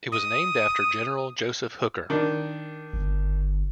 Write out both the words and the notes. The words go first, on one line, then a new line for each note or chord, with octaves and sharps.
It was named after General Joseph Hooker.
D#6
D#3 D4
G1